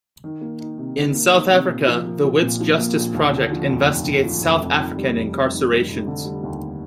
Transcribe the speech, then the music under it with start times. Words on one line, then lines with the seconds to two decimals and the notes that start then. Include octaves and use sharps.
In South Africa, the Wits Justice Project investigates South African incarcerations.
0.24 D#3
0.41 A#3
0.60 D#4
0.78 C3
0.97 D#3
1.15 A#3
1.33 D#4
1.51 C3
1.69 A#2
1.87 F3
2.05 A#3
2.24 A#1
2.42 A#2
2.60 F3
2.78 A#3
2.97 A#1
3.15 D#2
3.33 D3
3.51 F3
3.70 F1
3.88 D#2
4.06 D3
4.24 F3
4.42 F1
4.60 F2
4.79 D#3
4.97 G3
5.15 F1
5.33 F2
5.52 D#3
5.70 G3
5.88 F1
6.07 D3
6.24 G3
6.43 D#2